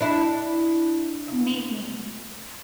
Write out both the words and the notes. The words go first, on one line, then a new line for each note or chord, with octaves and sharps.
Make me!
D4 E4